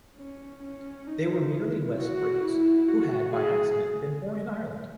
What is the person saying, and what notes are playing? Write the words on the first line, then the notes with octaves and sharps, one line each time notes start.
They were merely West Britons, who had by accident been born in Ireland.
C#4
C#4
D#4
E4
F#4
E4
F#4
G#4